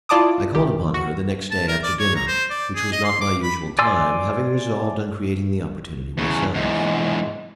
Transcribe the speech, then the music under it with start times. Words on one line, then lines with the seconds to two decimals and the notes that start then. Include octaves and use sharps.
I called upon her the next day after dinner, which was not my usual time, having resolved on creating the opportunity myself.
0.09 E4 F4 D5 A5 D6 D#6
0.55 A1 D#3 G4
0.94 F#4
1.51 A5
1.68 A#4
1.83 D5
1.99 C#5
2.16 A#5
2.27 C5
2.50 D5
2.75 G#4
2.92 D#5
3.04 C6
3.21 D6
3.43 B5
3.79 D5 G#5 C6 E6
6.18 E2 C#3
6.54 E2 G#2